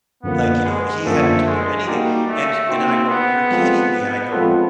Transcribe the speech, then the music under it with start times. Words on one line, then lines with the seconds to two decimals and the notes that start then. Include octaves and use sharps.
Like, you know, he hadn't told her anything, and sh and I go, "You're kidding me?" I go,
0.23 F#2 D3 F3 A#3 B3
0.65 G#3
1.05 F#2 D3 F3 A3 A#3
1.46 G#3
1.87 G3 A#3 D#4 F#4
2.28 A3
2.69 A#3 C4 D#4 F#4
3.10 B3
3.51 F3 G#3 C4 F4 A4
4.32 F3 G#3 C4 F4 A4